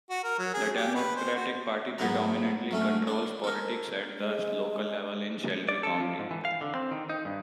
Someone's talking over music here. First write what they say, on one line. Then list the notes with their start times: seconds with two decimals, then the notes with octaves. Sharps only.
The Democratic Party predominantly controls politics at the local level in Shelby County.
0.10 F#4
0.24 A#4
0.39 F#3
0.54 G#4
0.76 G4
0.95 B4
1.16 C5
1.35 F#4
1.98 G#2 F#3 B3 F#5 A#5
2.71 F#3 A3 C#4
3.07 D4
3.44 A4 A#4
4.19 G#3
5.69 D5
5.83 A4
6.00 F3
6.19 G#2
6.31 E3
6.45 F5
6.61 D3
6.75 C4
6.91 D#3
7.09 D#4
7.25 G2